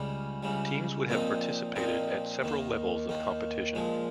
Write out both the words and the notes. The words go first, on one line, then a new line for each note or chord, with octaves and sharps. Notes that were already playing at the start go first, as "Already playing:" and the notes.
Teams would have participated at several levels of competition.
Already playing: C#2 C#3 G3
C#2 C#3 G3
A#2 F3 C4 D#4
A#2 F3 C4 D#4
D#2 D#3 A#3
D#2 D#3 A#3
A#2 F3 G#3